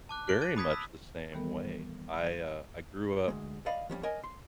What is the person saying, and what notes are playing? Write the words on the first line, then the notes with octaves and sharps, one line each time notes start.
very much the same way. I, uh, I grew up
A5 D6 F#6
F#6 D7
A6 D#7
B5 D#6 G#6 B6
E6 B6
D#3 E3 G3 B3 A4 A#4
D2 G#3
D5 D#5 F5 B5
F3 G3 C#4
A#4 C#5 D#5 G#5
C6